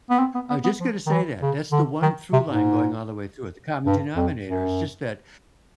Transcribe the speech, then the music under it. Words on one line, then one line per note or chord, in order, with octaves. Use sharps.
I was just gonna say that, that's the one true line going all the way through it, the common denominator is just that
B3
C4
B3
B3
B3
F3
D#3
E3
C#3
D3
D#3
C3
G#2
G2
F2
F#2